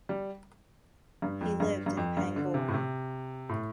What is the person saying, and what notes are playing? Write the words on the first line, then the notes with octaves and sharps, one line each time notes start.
He lived in Pangbourne.
G3
G2
F2
G2
G2
F2
G2
D3
C3
A2
C3
A2